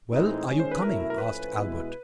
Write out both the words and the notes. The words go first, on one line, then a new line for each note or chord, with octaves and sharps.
"Well, are you coming?" asked Albert.
A2 E3 G#3 C4 D#4
D#3 G#3 C#4
C5
B4
B2 F#3 A3 C#4 E4 A#4
A#4
A2 F3 A3 C#4 B4
B2 G#3 B3 E4